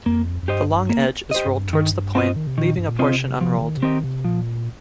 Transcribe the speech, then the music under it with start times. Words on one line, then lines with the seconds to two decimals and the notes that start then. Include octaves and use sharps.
The long edge is rolled towards the point, leaving a portion unrolled.
0.06 F2 A#3
0.43 F2
0.48 G2 G4 C5 D#5
0.89 A#3
1.31 G4 C5 D#5
1.46 G2
1.69 F2
1.73 G2 D#3
2.15 C4 F4 C5 D#5
2.36 D#3
2.47 C3
2.57 A#2 D#3
2.78 G2
2.88 A#2
2.99 C3 C4 F4 C5 D#5
3.41 C3 F3
3.62 D#3
3.77 C3
3.83 D#3 C4 G4 A#4 D#5
4.04 C3
4.25 A#2 F3